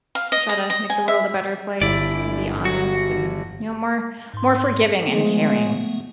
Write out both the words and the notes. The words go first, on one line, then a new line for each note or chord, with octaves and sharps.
Try to make the world a better place, be honest, and, you know, more more forgiving and caring.
F5
D#5
D#5
D#5
G#5
E5
G1 E4 D5
F#4
G#2 C6
F3 G#3 A3 B3